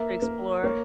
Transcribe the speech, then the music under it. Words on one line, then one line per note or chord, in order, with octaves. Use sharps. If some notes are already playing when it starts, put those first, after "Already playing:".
To explore?
Already playing: A#3 E5
A#3
A#3 C#5